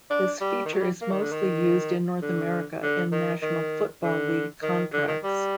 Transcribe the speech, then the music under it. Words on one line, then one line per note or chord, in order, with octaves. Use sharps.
This feature is mostly used in North America in National Football League contracts.
D4
G3
D#3
F#3
G3
A#3
D#3
D3
D#3
D3
D3
D#3
D#3
D3
D#3
D3
D#3
G3